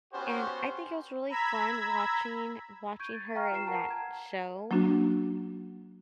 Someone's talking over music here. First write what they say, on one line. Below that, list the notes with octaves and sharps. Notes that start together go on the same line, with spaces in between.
and I think it was really fun watching watching her in that show
B3 C#4 F#4 G4 C5
A#5 B5 E6 G#6 B6
C#6 G6 G#6 D7 D#7
A6
F5 G5 A#5 C#6 F6
F4 B4 C7 E7
A#4 F#5 A5 A#5
A5 A#5 G#6
F#3 A#3 C#4 D4 F#4